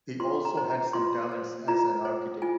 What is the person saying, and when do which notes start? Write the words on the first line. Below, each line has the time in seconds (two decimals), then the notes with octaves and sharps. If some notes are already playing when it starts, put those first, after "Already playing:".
He also had some talents as an architect.
0.20 F4 C6
0.45 A#5
0.57 C5
0.70 A#5
0.93 F4 C6
1.32 C5
1.68 F4 A#5
2.05 C5
2.42 F4 G#5